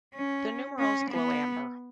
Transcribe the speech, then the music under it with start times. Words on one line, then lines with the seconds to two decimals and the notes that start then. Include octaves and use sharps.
The numerals glow amber.
0.15 C#4
0.79 C#4
1.10 B3